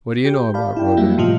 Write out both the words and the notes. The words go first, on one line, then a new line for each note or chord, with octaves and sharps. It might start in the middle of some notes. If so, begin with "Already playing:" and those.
"What do you know about Rodin?"
G4 G6
D5 F5 A5 B5
E4 G5
F#3 G3 A#3 E5
A2 C3 F3 F4 D#5